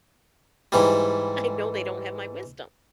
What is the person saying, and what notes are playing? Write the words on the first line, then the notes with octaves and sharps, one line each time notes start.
I know they don't have my wisdom.
G#2 E3 G3